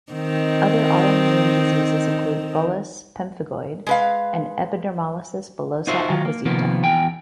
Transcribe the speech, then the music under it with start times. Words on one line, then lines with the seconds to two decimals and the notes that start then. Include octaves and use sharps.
Other autoimmune diseases include bullous pemphigoid and epidermolysis bullosa acquisita.
0.12 D#3 C4 D#4
3.87 G#3 B4 F5
5.87 D#4 F4 F#4 C5 E5
6.10 D#3 F#3 F4
6.25 A#3
6.45 C3 D#3 F3 A#3 B3
6.83 E2 G5 G#5